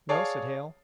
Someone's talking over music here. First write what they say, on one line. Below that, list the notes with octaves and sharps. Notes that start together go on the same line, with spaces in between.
"No," said Hale.
G#4 C#5 D5 F5 A5